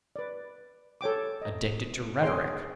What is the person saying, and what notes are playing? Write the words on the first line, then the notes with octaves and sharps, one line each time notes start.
Addicted to rhetoric.
B4 D5
A4 C#5 G5 D6
D#5 A#5
D4 G#4 C#5 G5 C6